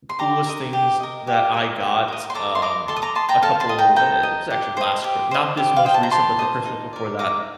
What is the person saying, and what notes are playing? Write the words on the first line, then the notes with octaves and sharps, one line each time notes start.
coolest things that I got, um, a couple i it was actually last Chri not this most recent, but the Christmas before that,
C6
G4 A#5 D6
A#4 D#5
G4
A#4 D#5
G4
A#4 D#5
G4
A#4 D#5
C6
A4 A#5 D6
C6
D#5 A#5 D6
A4 A5 C6
D#6
A#5 D6
D#5 A5 C6
G5 A#5
A4 F5 A5
A5 C6
D#5
G5 A#5
A4 G5 A#5
D#5
G4
C5 D#5
G4
C5 D#5
G4
F5
C5 D#5 G5
A5
A#5
G4 A5 C6
C5 D#5
D#4
A#4 D5
D#4 A#5 D6